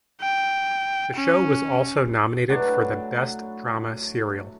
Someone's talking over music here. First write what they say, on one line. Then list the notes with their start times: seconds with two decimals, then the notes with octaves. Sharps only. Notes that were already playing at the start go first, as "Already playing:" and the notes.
The show was also nominated for the Best Drama Serial.
0.21 G5
1.17 C#4
2.49 A2 F#3 D4 B4